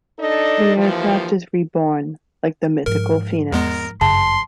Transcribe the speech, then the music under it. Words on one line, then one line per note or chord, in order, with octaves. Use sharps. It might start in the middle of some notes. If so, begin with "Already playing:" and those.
The aircraft is reborn, like the mythical Phoenix.
D4 D#4 A4 D5 D#5
D#2 E3 F3
G#2 F3 A#4
E2 G#3 B3 A#4
G1 F#2 C#3 A5 C6